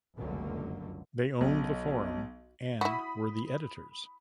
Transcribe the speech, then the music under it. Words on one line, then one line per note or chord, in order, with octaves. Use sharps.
They owned The Forum and were the editors.
F1 C#2 F#2 D3 F#3 A#3
B1
E4 F#4 B5 D#6 B6